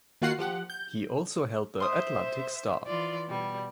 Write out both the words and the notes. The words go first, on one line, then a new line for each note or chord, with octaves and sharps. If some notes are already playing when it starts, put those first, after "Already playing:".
He also held the "Atlantic Star".
D#3 A#3 F4 F#4 F#5 C7
F3 G4 F#5
G6
C5 E5 C6 D#6
E3 F4 D5
B2 G3